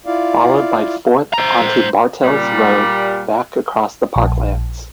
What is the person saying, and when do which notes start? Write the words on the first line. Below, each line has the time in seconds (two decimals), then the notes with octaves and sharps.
Followed by fourth onto Bartels Road back across the parklands.
0.06 E4 F4 D5 F5
1.33 C5 A#5
2.23 A#2 G3
4.16 A#1